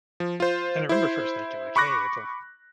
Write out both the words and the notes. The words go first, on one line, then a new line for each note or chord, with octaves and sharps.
and I remember first thinking like, "Hey, it's a"
F3
F4 C5
E4 C5
B5 C#6 D6 F#6 A#6